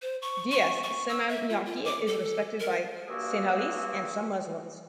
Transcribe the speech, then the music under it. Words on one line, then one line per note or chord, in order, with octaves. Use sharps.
D. S. Senanayake is respected by Sinhalese and some Muslims.
C5
C#6
C#6
C#6
E6
E5
F4
F4
D6
A4
A#4
G2 A#3 F#4 G#4 E5